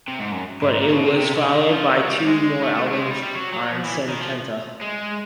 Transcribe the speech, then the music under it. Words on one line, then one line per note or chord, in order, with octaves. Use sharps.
But it was followed by two more albums on Setanta.
C3
G#2
F#2
G#2
A#2
C3
B2
C3
C3
C#3
D3
D#3
F3
F#3
G3
G#3
A3
A3
G#3
A3
G#3
G3
G3
F#3
F#3
F3
E3
D#3
F3
G#3